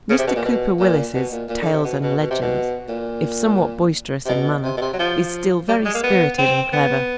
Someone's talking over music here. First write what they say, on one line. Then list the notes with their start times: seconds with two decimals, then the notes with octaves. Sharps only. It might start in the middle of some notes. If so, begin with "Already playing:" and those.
Mr. Cooper Willis's Tales and Legends, if somewhat boisterous in manner, is still very spirited and clever.
0.10 C#3
0.19 C3
0.27 B2
0.36 A#2
0.45 B2
0.80 A#2
1.15 B2
1.32 A#2
1.50 A#2
1.62 D3
1.73 C3
1.85 B2
2.02 B2
2.19 B2
2.31 C3
2.42 B2
2.89 A#2
4.25 C3
4.29 B2
4.64 C3
4.77 B2
4.82 C3
4.93 F#3
4.99 F3
5.69 G3
5.86 G#3
5.94 A#3
6.04 B3
6.38 C4
6.73 B3